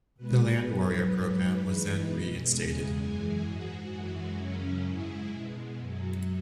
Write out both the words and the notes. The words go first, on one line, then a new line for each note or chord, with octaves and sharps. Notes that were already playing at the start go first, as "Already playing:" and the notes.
The Land Warrior program was then re-instated.
B2 G#3 B4
G#2 F#3 B4
G#2 F#3
G#2 E3 G#3
B2 G#3
E2 C#3 G#3 G#4
F#2 E3 G#3
G#2 G#3 F#4
F#2 E3 G#3
F#2 C#3 F#3 C#4
G#2 G#3 E4
B2 G#3
F#2 F#3